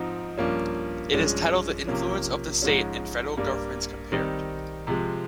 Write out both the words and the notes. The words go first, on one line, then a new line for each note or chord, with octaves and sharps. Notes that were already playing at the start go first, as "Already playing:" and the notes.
It is titled The Influence of the State and Federal Governments Compared.
Already playing: G#2 F3 C4 D#4
G2 F3 A#3 C#4
G2 F3 G#3 C#4
C3 F3 A#3 C#4
G#2 F3 G#3 C#4
G2 G3 A#3
D#3 G3 C4 D#4
C3 F3 G#3